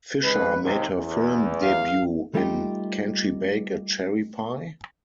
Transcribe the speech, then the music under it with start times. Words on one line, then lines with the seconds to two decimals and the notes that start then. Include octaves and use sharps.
Fisher made her film debut in Can She Bake a Cherry Pie?
0.24 D#2 G#3 B4
0.62 D#2 G#2 C3
0.97 E2
1.63 F5
2.35 G3 A3 D#4 F4 G4